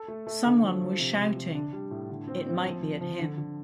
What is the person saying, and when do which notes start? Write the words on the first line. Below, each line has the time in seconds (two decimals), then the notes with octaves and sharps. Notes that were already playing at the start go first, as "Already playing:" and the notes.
Someone was shouting — it might be at him.
Already playing: A4
0.08 A3
0.27 A3
0.45 D3
0.63 F3
0.81 F3
1.00 C3
1.18 C3
1.36 C3
1.55 D4
1.73 G3
1.91 A2
2.09 D3
2.27 C4
2.46 C4
2.64 F3
2.83 F3
3.01 F3
3.19 D3
3.38 D3